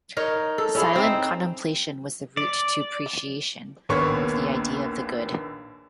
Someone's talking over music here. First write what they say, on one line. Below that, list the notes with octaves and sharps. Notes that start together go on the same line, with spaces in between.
Silent contemplation was the route to appreciation of the Idea of the Good.
D#4 A#4 C#5
A4
C#4 E4 G#4
C4 D#4
D5
A#1 D#2 A#3 B3 C#5 C#6